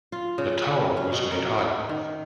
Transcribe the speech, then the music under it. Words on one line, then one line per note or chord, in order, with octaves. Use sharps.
The tower was made high.
F4
C#3
F#5
C#4
B2
A#4
D#3